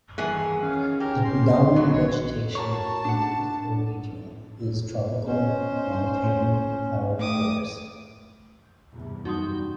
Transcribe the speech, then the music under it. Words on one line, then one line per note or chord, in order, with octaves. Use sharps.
The predominant vegetation in the ecoregion is tropical montane cloud forest.
G2 D#3 E3 G#4 F#5
C#4 F5
G4 A#4
C#4 C6
F#2 F#3 B3
A#1 C#5
F#4 A#4 C#5 A5
D4 F#5
C#4 C5
A2 D#3 D6 D#6
E2 G2 C3
F#2 G3 D#4 F#4 C6 D#6 G6